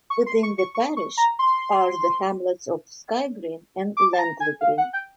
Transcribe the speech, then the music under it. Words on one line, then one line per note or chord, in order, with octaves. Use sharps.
Within the parish are the hamlets of Skye Green and Langley Green.
C#6
C6
C#6
C#6
C#6
C#6
A#5
C6
D6
A5
A#5
G#5
F5
F#5
G5